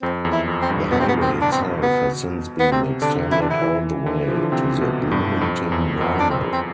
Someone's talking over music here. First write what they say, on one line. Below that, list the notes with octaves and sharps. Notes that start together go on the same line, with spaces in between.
The highway itself has since been extended all the way to the Bloomington-Normal.
F2 C4
E2
E4
F2
C4
G2
B2 B3
C4
B3
C4
D4
C4
B3
B3
C3 C4
D3 D4
E3 E4
D4
E4
E3
D3
F3
E3
D3
C3 C4
B2
G2
F2
E2
F2
D4
C4
C4